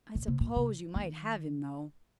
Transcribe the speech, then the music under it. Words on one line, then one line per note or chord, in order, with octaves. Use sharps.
I suppose you might have him, though.
A#2
C3
A#2
C3
D#3